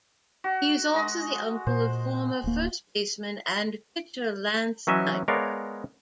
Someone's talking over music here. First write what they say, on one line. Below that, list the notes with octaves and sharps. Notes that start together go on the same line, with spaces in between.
He is also the uncle of former first baseman and pitcher Lance Niekro.
F#4
G#3 D#5
A#2 C5
D1 A#3
E3 F#3 C#4 D#5 E5
G#3 B3 A#4 C#5 D5 F5